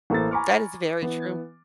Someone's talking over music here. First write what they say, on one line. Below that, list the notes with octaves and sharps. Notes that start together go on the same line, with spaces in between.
That is very true.
A1 A#3 A4 C5 A6
G#5 A#5 B5 C#6 D6 F6
E3 B3